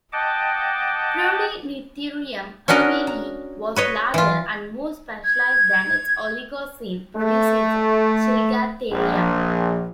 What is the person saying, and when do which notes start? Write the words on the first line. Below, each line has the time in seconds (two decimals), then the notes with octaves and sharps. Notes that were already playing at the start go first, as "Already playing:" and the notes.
"Prodeinotherium hobleyi" was larger and more specialised than its Oligocene predecessor "Chilgatherium".
0.12 D#5 F#5 G5 A5 D6
2.68 C#4 D4 F#4 A#4 D#5
3.07 A#5
3.76 B4 C#5 D#5
4.14 E3 F4
5.24 G#6
7.15 A3
8.91 A#1